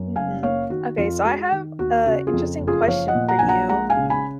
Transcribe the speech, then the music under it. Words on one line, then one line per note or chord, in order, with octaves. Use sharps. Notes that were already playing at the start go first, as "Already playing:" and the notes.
Mhm. Okay, so I have a interesting question for you:
Already playing: F#2
F#1 F5 G#5
A#3 C#5 F5
D#3 F#4
F2 F4
G#3 F#4
D#3
D#2 F#4
C#3 F#4
F4 G#4
F2
F#1
F4 G#4
F3 C#5 F5
D#5 F#5
A#2
F#5 A#5
A#1 G#5
F#5 A#5
G#3 F#5 A#5
F5 G#5
C#3
G#5 B5